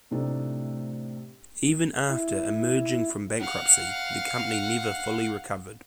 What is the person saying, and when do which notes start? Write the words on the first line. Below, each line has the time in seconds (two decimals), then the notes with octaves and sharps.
Even after emerging from bankruptcy, the company never fully recovered.
0.11 A2 C3 A3 D4 D#4
2.09 E4
3.40 F5 F#5